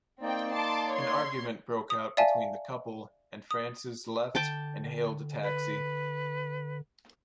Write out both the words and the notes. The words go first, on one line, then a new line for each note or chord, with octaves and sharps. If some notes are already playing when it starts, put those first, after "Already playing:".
An argument broke out between the couple and Frances left and hailed a taxi.
A#3 C4 D#4 D5 G5
A5 C6 D6
C#5 C6 G#6
D#6
D5 E5 F5 G#5 A5
D#6
D3 G5 A5 D6
B4